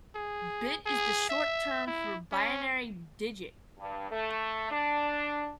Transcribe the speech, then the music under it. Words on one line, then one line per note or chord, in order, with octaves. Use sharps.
Bit is the short term for binary digit.
G#4
G#4
E5
E4
C#4
G2
A3
D4